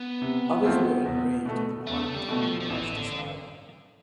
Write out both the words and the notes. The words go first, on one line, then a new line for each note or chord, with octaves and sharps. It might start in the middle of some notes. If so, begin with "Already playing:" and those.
Others were enraged that the parliament had been brushed aside.
Already playing: B3
C3
E3 A3 C4 F4
E2
B2 A3
E2 A3
G3
B2 A3
F3
F3
A1 E3
D3